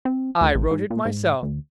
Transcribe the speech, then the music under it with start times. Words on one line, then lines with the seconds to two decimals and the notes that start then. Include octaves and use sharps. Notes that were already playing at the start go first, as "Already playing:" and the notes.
"I wrote it myself."
0.05 C4
0.41 D2
0.55 A1
0.71 G#2
0.90 A#2
1.05 G#2
1.43 D2